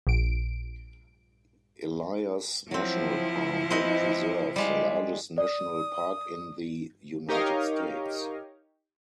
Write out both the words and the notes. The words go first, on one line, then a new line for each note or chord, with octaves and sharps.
Elias National Park and Preserve, the largest national park in the United States.
A#1 D7
F3 F#3 C4 E4
C4 B4 D#5
G3 G#3 F5
D5 D#6
D#4 G4 A#4 C#5 D#5 F5